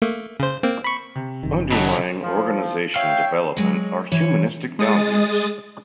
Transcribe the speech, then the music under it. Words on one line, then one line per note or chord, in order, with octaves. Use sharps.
Underlying Organization Development are humanistic values.
A3 A#3
C#3 C5
A#3 C4
B5 C#6
C3
F#1 F#2 D#3
C#3 F#3 D#5 A5 B6
F3
C#5 E5 F5 G5
F#3 G#3
E3 C#5
G#3 D#6 A6